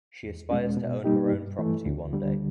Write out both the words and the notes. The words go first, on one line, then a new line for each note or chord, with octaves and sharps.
She aspires to own her own property one day.
E2
B2 G#3 C#4
B2
G3 A#3 D#4 G4
G2
E3 A3
D2
D3 G3